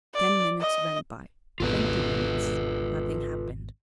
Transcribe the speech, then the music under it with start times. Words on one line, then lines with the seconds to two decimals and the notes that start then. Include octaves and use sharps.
Ten minutes went by--twenty minutes--nothing happened.
0.15 D5
0.61 D#5
1.60 G#1 E2 B2 F4 A4 B4